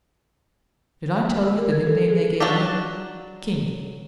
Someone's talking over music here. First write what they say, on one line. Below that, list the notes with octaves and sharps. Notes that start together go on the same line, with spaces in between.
Did I tell you the nickname they gave me--'King'?
E6
A#4
G#6
A4
G#4
F#3 D4 F4 G4